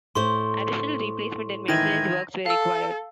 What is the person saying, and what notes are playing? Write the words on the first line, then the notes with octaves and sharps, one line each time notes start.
Additional replacement and maintenance works were required.
A2 C5 C6 C#6
D#3 E3 G#6 A#6 D#7
A4 F5 E6